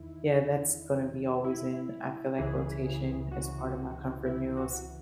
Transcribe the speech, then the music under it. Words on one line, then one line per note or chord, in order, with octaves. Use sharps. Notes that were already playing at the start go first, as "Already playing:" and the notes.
yeah, that's gonna be always in, I feel, like, rotation as part of my comfort meals,
Already playing: E2 D#3 E4
E4
C#2 C#3 E3 G#4
F#4
E4
F#4